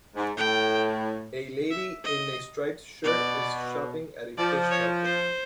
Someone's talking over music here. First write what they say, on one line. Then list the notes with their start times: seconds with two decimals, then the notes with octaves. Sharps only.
A lady in a striped shirt is shopping at a fish market.
0.16 G#2
0.37 A2 G5
1.71 E5
2.05 D#5
3.04 B2 D5
4.38 F3 D5
4.71 C#5
5.05 C5